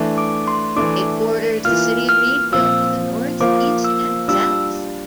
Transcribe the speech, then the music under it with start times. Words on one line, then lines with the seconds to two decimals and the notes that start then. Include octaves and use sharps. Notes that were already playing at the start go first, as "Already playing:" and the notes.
It borders the city of Meadville to the north, east, and south.
Already playing: E3 A3 D4
0.18 D6
0.48 C6
0.76 E3 A3 D4 D6
1.64 E3 A#3 F4 F6
2.09 F6
2.52 A#2 F3 C4 F4 E6
3.40 F3 A#3 F4 C5 F5 D6
3.84 E6
4.28 G3 D4 F4 E6